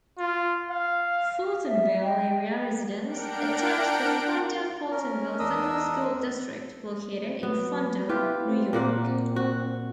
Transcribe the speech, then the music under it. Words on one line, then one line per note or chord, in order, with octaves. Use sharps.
Fultonville area residents attend the Fonda-Fultonville Central School District, located in Fonda, New York.
F4
F5
E5
D#5 G5
D4 A#4 F#5 G5 D7
C#4 A#4
E2 D4 A#4 D#5 D#6 E6
F#3 B3
E4 F4 G4 B4
C4
A#2 A#3 F#5
F#4